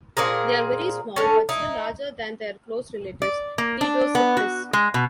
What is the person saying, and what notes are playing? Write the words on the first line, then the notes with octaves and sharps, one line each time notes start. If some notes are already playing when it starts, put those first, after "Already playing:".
They are very small, but still larger than their close relatives "Paedocypris".
A#2 C4 G#4 A#4
D3 C#4
D#4 E4
D5
A#3
D4
B3
F#4
G#3
B2